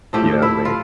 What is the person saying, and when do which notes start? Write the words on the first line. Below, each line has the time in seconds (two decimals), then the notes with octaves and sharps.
You know what I mean?
0.13 A2 F3 A3 G4
0.42 E4
0.65 F4